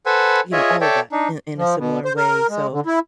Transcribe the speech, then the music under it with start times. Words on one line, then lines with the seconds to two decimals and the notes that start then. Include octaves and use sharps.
you know, all of that, in in a similar way. So,
0.06 A4 B4 C5 F#5 G#5 B5
0.52 F4 G#4 C#5 D#5 E5
0.81 A4 C#5 D5 E5 G5
1.12 D4 D#4
1.58 F3
1.78 B2
2.05 C5
2.17 A#4
2.49 G#3
2.72 D3
2.86 E4